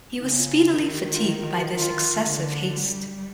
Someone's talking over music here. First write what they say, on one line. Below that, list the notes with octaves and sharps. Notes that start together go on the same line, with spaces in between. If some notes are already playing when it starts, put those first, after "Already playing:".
He was speedily fatigued by this excessive haste.
C#3 D#4
F4
E4
D#3 D4
G4
F#4
F4
E4
F4
F#4
F4
D3
G3